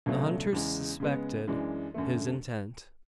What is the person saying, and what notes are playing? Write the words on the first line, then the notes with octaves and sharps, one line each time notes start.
The hunter suspected his intent.
C#2 B2 F#3 A3 D4
E2 C#3 G#3
C#3 G#3 B3
F#2 E3 G#3 D4
F#2 D3 A3